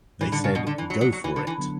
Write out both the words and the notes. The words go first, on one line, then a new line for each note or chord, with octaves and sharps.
They said, Go for it!
A2 E3 G3 D4
D3
C#3
B2
D3
E3
F#3
F#3
F#3
E3
D3
E3
D3 F#3 B3 D4